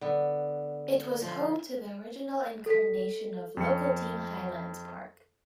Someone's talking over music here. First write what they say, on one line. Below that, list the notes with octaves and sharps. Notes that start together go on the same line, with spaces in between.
It was home to the original incarnation of local team Highlands Park.
D3 B3
F3
A4 B6
F2 C#7